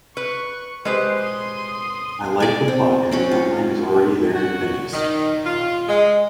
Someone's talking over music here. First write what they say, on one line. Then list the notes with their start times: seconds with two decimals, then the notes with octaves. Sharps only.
I like the plot and the outline is already there in Venice.
0.17 B4 C#6
0.85 G#3 G4 B4 C5
1.22 C6 D#6
2.40 D5 G#5
2.68 C4
3.11 C4 C#4 F#4
3.31 F4
4.35 F#4
4.93 D#3
5.45 F4
5.89 G#3